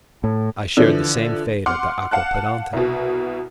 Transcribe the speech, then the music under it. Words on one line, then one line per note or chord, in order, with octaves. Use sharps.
"I shared the same fate at Aquapendente."
A2
D3 E3 F3 D4
F#5 C6 D6 F6
F5 F#5 A5 F#6
C2 B2